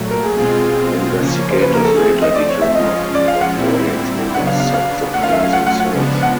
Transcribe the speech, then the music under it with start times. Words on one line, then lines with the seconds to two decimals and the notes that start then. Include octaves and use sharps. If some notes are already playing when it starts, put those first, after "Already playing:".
Investigators later determine that audience members set the fire themselves.
Already playing: A#2 F#3 A3
0.10 A#4
0.23 G#4
0.36 B2 G#3 C4 F4 G#4
1.16 C#3 F3 A#3 C#4
1.51 C5
1.62 B4
1.73 A#4
1.85 A4
1.95 F3 A3 C4 G#4
2.22 D#5
2.35 D5
2.49 C#5
2.62 E5
2.74 F3 G#3 C#4 F4 D#5
3.15 D5
3.28 F5
3.41 F#5
3.54 A#2 G3 C4 E4
4.34 C#3 F#3 B3 D4 F#5
4.47 F5
4.60 F5
4.74 F5
5.13 F#3 A3 C#4 F4 F#5
5.24 F5
5.33 E5
5.44 F5
5.53 F#5
5.67 F#5
5.80 F#5
5.93 C#3 F3 G#3 B3 D4
6.23 F#5